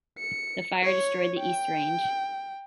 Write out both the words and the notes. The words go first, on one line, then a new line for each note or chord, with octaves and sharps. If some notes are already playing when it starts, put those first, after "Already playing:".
The fire destroyed the East Range.
C#7
C#5
G5